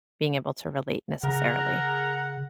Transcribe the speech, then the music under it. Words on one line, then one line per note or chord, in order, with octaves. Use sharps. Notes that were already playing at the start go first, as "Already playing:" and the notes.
being able to relate necessarily.
C#3 G#4 A#4 F#5 A#5